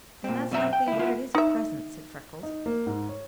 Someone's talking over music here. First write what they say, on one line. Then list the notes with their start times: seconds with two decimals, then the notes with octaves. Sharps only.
"Then that's likely where it is at present," said Freckles.
0.24 A#2 C4
0.51 F#2 B2 C4 D#4 E5 A#5
0.73 G5
0.88 C#2 E4
0.99 B3 E4 F4
1.35 D#4 E5
2.43 D#4
2.66 A#3
2.87 G#2
3.09 C#5